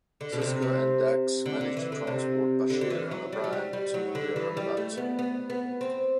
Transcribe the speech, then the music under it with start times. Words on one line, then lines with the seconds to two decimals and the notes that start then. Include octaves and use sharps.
Sisko and Dax manage to transport Bashir and O'Brien to their runabout.
0.21 D3
0.32 B2
0.42 C3
0.62 C3
1.46 D3
1.61 D3
1.77 E3
1.92 D3
2.07 C3
2.70 D3
2.81 D3
2.90 E3
3.11 F#3
3.32 G3
3.44 F#3
3.53 G3
3.73 G3
3.94 F#3
4.15 D3
4.36 E3
4.57 G3
4.77 A3
4.97 B3
5.19 B3
5.50 B3
5.81 C4